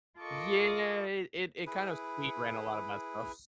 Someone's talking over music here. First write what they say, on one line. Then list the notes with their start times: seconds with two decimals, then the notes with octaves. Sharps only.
Yeah, it it it kind of speed ran a lot of bad stuff.
0.19 F4 A4 A#4 D#5 C#6 D6
1.67 E4 G#4 B4